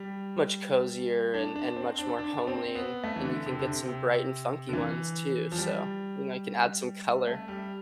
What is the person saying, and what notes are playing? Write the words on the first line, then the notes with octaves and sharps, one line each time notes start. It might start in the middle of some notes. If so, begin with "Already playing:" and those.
much cozier and and much more homely, and and you can get some bright and funky ones too, so, you know, you can add some color.
Already playing: G3
D4
D4
C4
D4
D4
C4
B3
A3
E3
D3
C3
D3
C3
C3
D3
E3
F3
G3
A3
G3